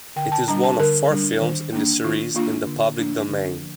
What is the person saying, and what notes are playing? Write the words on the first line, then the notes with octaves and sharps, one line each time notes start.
It is one of four films in the series in the public domain.
D3 G5
A5
G3 D4 A#5
A5
D3 A#4
G3 D4
D#3
A#3 D4
D#3 F4
A#3 D4 F4
D3
F3 A#3 D4
D3
F3